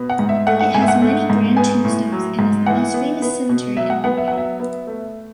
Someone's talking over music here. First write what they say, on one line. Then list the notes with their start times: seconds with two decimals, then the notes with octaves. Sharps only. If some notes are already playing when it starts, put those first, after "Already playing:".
It has many grand tombstones and is the most famous cemetery in Norway.
Already playing: B2 B3
0.10 F#5
0.19 G#2
0.29 E5
0.47 A3 F#5
0.61 F#5
0.74 G#2 G#5
0.82 E5
0.88 F#5
1.02 A3
1.30 G#2
1.57 B3 G#5
1.85 A2
2.12 F#3
2.39 G#2
2.66 E3 F#5
2.94 B3
3.22 B3
3.49 B2
3.77 F#3 E5
3.90 F#5
4.04 B3 F#5
4.18 E5
4.28 F#3 F#5
4.38 E5
4.60 B3
4.87 A3